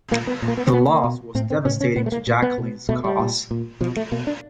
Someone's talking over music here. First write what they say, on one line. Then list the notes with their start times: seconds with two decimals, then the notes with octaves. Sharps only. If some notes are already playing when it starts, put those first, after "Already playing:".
The loss was devastating to Jacqueline's cause.
0.11 A#2 A#3
0.27 B3
0.42 A#2
0.48 A#3
0.57 B3
0.67 C4
0.73 B2 B3
0.89 A#3
1.04 B2
1.35 A2 C4
1.50 C4
1.65 A2 C#4
1.81 C#4
1.96 A#2 B3
2.06 A3
2.12 A#3
2.27 A#2
2.42 B3
2.58 B2
2.89 B2 A3
3.04 G3
3.20 A#2
3.51 A#2
3.81 B2 F3
3.97 A3
4.12 B2 A#3
4.27 D4